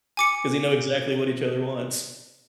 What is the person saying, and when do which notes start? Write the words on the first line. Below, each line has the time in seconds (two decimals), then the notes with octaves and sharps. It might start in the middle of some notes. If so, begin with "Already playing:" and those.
'cause you know exactly what each other wants.
0.17 G#5 D6 C#7